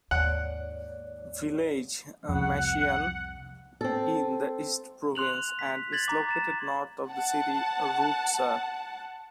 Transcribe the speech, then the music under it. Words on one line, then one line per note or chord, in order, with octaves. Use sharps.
Village "Machian" in the East province and is located north of the city Roodsar.
D#2 G#2 C#5 D5 F#5
C2 F2 F#5
C4 A4
C6 F#6 F7 F#7
B6
G#6 A6 B6 F#7
A#5 D6
A6 E7
F#5 A5